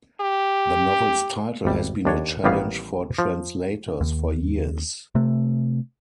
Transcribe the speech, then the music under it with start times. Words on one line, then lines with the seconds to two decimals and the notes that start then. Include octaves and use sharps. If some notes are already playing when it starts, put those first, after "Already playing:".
The novel's title has been a challenge for translators for years.
0.21 G4
1.65 G#1 G3
2.05 D#2 D4 C#5
2.44 A1 D#3 G3 A#3 B3 F5
3.18 F3
4.01 D#2
5.15 C3 A3